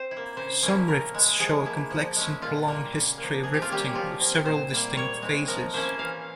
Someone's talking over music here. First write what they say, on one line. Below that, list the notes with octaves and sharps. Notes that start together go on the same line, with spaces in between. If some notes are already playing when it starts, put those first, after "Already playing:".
Some rifts show a complex and prolonged history of rifting, with several distinct phases.
Already playing: C4 C5
E4
A#3
C#3 C5
F3 A#3 C#4 E4
A#2 A#4
G#3 E4
F3 G#4
A#3 E4
F3
G#3 C#4 E4
A#2 F4
G3 A#3
C#3
F3 A#3
C3 G#4
G4
F4
G3 A#3 C#4 G4
F3 F4
C4 E4
A#2 C5
G3 A#3 E4
A#2 C#5
G#3 C4 E4
F3 A#4
A#3 C#4 E4 C5
E3 F5